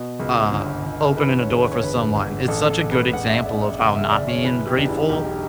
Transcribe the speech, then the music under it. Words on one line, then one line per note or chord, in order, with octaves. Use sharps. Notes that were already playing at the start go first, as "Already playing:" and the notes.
um, opening a door for someone, it's such a good example of how not being grateful
Already playing: B2
C#2
G1
G1
A4
E3 B4
C#5
E1
B4
C#5
G1 B4
G1
A1 A4
A4
A1
B4
E1 F#5
E5
E1 D5
E5
F#1 F#5
E5
F#1 D5
C#5
E3 B4
G4
E1 D4
E4
B1 G4
G4